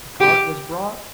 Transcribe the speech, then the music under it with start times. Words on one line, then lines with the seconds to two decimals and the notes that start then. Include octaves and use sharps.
The cart was brought.
0.20 G4